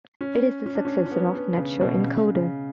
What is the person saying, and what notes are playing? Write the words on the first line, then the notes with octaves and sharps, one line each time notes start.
It is the successor of NetShow Encoder.
C#4
C#4
D4
C#4
C#4
B3
B3
C#3
B2
C#3
C#3